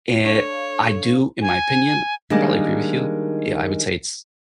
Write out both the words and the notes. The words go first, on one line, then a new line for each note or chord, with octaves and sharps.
Eh, I do, in my opinion, p probably agree with you, yeah, I would say it's
D4 A4 C#5 F5
G#5
D#3 G3 G#3 A#3 D4 D#4